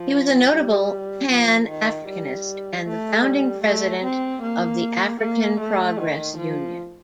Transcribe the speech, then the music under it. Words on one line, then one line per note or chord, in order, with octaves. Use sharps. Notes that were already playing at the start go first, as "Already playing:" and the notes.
He was a notable Pan-Africanist and the founding president of the African Progress Union.
Already playing: F3
G3
F3
D#3
G3
A3
G3
A3
C4
A#3
A#3
A3
D#3
F3